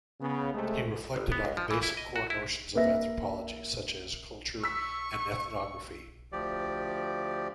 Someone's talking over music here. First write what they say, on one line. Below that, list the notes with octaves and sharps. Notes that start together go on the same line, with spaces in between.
He reflected on the basic core notions of anthropology, such as culture and ethnography.
C#3 B3
C3 G#3 A3
G1
B3
C#2
F3
E3
E4
D#5
F#4
E4
A#3 B4 E5 A#6
C#6 E6 B6
D2 F3 G4 D5